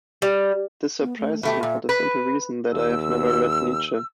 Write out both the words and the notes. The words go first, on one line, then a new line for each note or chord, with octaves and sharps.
This surprises me, for the simple reason that I have never read Nietzsche.
G3
B3
A3
B2 A3 G4 E5
A#2
B4
D#2 E6